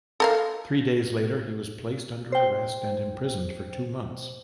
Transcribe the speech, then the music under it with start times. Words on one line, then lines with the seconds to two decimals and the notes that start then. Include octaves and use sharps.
Three days later he was placed under arrest and imprisoned for two months.
0.20 A4 A#4 F5
2.32 C5 G5